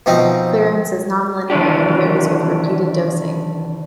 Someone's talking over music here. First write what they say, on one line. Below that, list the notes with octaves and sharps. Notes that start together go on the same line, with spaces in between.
Clearance is nonlinear and varies with repeated dosing.
B2 F3 C4 D#4
C3 D#3 E3 D4 G4